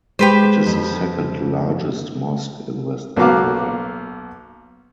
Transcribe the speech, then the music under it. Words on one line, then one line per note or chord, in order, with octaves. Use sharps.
It is the second largest mosque in West Africa.
G#3 G4 B4 C5
F2
B1 A#3 B3 F#4 F5 D6